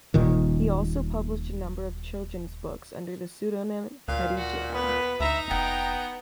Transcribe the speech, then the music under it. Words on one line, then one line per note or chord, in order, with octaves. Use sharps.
He also published a number of children's books under the pseudonym Teddy Jam.
D#1 A#2 D#3
D2 A#2 F5
F#4
B3 B4
D2 D#4 E5 A#5
F1 B3 G5